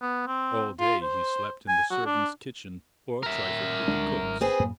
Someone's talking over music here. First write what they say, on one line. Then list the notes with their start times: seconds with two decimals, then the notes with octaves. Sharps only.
All day he slept in the servants' kitchen or trifled with the cooks.
0.02 B3
0.27 C4
0.80 F4
1.02 C5
1.68 G#5
1.91 F#4
2.06 D4
3.23 A#4 E5
3.88 D2 G#3 D4
4.21 G#1
4.41 C4 G#4 B4
4.60 F#2 A2 A#3